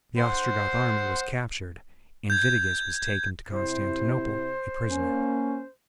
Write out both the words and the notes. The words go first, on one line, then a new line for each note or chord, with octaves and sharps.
The Ostrogoth army was captured, and Vitiges was taken to Constantinople a prisoner.
C5 F#5 C6
G6 G#6
C3 E4 C5
A#3 C#4